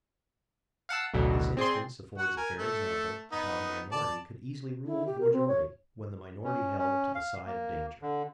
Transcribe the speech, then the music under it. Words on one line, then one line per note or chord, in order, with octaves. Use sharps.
This instance affords a fair example how the minority could easily rule the majority when the minority held to the side of danger.
F5 F#5 A5 E6
A1 D2 B2 F#3
C4 G#4 D5 C6
F#4 F#5
A#4 G#5
A3 A4
B3 D#4
D5 A5
E4
G4
A#4
C4
C#5
C#4
C#4
F5
A#3
D3